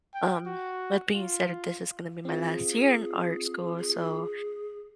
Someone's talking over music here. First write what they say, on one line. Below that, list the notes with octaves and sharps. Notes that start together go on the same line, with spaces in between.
um, that being said that this is gonna be my last year in art school, so,
G5
F#4
F4
C4 F4 G#4
G#4